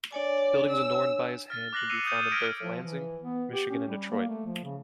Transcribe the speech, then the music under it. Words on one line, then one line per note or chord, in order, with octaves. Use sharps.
Buildings adorned by his hand can be found in both Lansing, Michigan and Detroit.
D4 C#5 D5 G#5
E6
F6 A6
D6 F#6 A#6 C7 F#7
E6 C7 C#7 D#7 F7
D#6 G6 D#7
E6 F6 G#6 A#6 B6 D7
F3
E3
B3
G4
C#4
G3
A#3
A3
F3
C#3